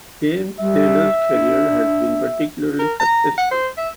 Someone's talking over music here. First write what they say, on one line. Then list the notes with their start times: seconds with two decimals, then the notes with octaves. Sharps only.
James Taylor's career has been particularly successful.
0.60 G3 E5
1.30 D4
2.79 A#4
3.00 A#5
3.38 F#5
3.51 C5
3.77 E5